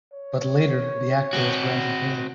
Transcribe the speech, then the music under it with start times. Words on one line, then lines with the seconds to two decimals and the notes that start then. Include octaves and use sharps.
But later the actor was granted bail.
0.13 C#5
1.33 C4 F#4